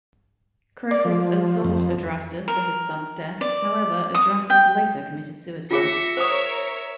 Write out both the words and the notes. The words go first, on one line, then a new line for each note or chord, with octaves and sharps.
Croesus absolved Adrastus for his son's death; however, Adrastus later committed suicide.
D5
F3
F2
A#4
D5
D#6
G5
F4 G#4 C#5 E5 A#6 C#7
A#4 C5 C#5 D#6